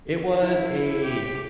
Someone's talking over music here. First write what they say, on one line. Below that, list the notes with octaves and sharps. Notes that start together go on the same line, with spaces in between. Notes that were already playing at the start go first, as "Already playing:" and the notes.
it was a
E4
G4